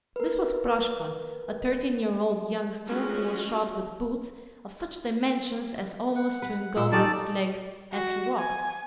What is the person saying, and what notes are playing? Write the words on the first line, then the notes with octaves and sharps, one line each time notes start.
This was Proshka--a thirteen-year-old youngster who was shod with boots of such dimensions as almost to engulf his legs as he walked.
A#4 B4
G#3 A3 C#4 F4 F#4 G#4
F#5
B4
A#2 E6
G3 C#4 D#4 A4 D5 A5
F#4
G#5